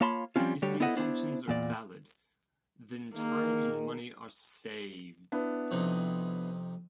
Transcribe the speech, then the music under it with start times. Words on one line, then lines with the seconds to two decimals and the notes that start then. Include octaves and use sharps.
If the assumptions are valid, then time and money are saved.
0.01 A#3 F4 C#5 A5 B5 C6
0.36 F3 G3 G#3 C4 C#4 F4
0.62 D2 D3 G3 G4 C#5
0.80 B3 E4 A4 C5 D#5 F#5
0.96 B3 D4 E4 C5
1.48 E2 A#2 D5
3.15 D#3 A#3 G#4 A#4
5.32 B3 D4 E4
5.71 F2 C3 D#4